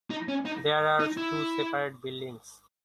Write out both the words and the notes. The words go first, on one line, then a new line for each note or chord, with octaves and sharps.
There are two separate buildings.
D#4
C#4
D#4
D#4
E4